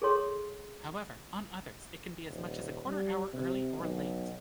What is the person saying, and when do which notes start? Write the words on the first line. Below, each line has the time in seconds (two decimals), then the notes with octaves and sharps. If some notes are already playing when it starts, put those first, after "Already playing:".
However, on others, it can be as much as a quarter-hour early or late.
0.02 G#4 A4 C#5 C6
2.28 D#1
2.86 G3
3.34 C3
3.78 B1